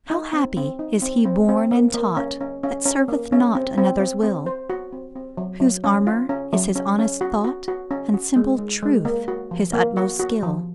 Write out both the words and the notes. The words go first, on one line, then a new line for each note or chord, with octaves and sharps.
How happy is he born and taught That serveth not another's will; Whose armour is his honest thought And simple truth his utmost skill!
D#4
C4
C4
D#4
C4
C4
C4
A#3
A#3
C#4
C#4
C#4
C#4
A#3
C#4
C4
C4
C4
C4
C5
F#4
C4
C4
F#3
F#3
C#4
F4
C#4
F#3
C#4
C#4
F#4
F#4
F#4
C#4
F#4
G#3
G#3
G#3
A#3
F#4
F3
A#3
F#4
F#4
F3